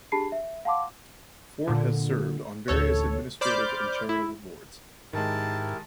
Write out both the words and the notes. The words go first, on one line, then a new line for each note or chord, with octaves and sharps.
Forde has served on various administrative and charitable boards.
D4 G4 G#4 A5 B5 C7
E5
F5 F#5 A5 C6 D6
A#2 D3
A1 D2 A4 C#5
C5 D5 B5 D6 F6 G6
E4
G#2 D#3 G#3 E4 G4 A#4 A5